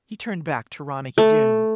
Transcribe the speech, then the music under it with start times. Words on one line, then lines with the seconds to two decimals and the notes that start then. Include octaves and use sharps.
He turned back to Ronicky Doone.
1.18 A3